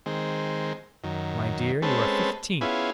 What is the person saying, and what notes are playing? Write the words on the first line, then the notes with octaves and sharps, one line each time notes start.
"My dear, you are fifteen."
D#3 G#3 C4
F#2 D#3
G#3 C4 C#4 A4 B4
B3 C#4 E4 F4 G#4